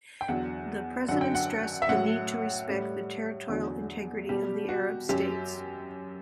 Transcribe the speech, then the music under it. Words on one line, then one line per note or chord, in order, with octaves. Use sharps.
The President stressed the need to respect the territorial integrity of the Arab states.
G5
E2 D3 F#3 F#5
F#2 D3 F#3 F#5
G5
F#5
E5
A2 F#3 F#5
A2 G3
E2 D3 F#3
B2 G3 G4
F#4
F#2 F#3 G4